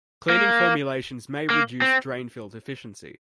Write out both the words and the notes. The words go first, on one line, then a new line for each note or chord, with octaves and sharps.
Cleaning formulations may reduce drain field efficiency.
A#3
A#3
C4